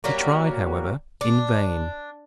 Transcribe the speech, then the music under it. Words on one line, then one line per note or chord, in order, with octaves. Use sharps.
He tried, however, in vain.
F#3 G3 A#3 F#4
D4